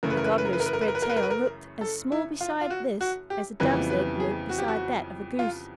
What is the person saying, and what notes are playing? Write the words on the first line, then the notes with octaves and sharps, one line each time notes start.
The Gobbler's spread tail looked as small beside this as a Dove's egg would beside that of a Goose.
F#2 C#3 E3 A3 A#4
B4
A#4
B4
A#4
B4
A#4
B4
A#4
B4
A#4
B4
A#4
B4
A#4
B4
A#4
B4
A#4
A4
E4
F4
F4
F#4
F#4
G4
F2 C#3 E3 G3 B3 B4
B4
G#4
F#4
G4
F#4
F4